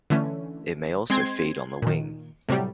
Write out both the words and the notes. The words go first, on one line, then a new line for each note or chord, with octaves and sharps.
It may also feed on the wing.
D3 E3 A3 C#4
G#3 C4 C6 G#6
A#2 D#3
A2 C3 F#3 G3